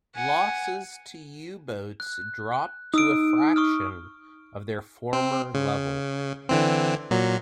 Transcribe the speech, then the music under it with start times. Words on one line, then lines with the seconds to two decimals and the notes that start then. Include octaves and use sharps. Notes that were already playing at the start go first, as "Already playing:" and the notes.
Losses to U-boats dropped to a fraction of their former level.
0.15 F#5 G#5
2.00 F#6
2.94 D#4 D#6 E6 D7
3.56 C#6 D#6 F6
5.13 C4
5.54 C#3
6.49 D3 E3 C4
7.11 A#2 F#3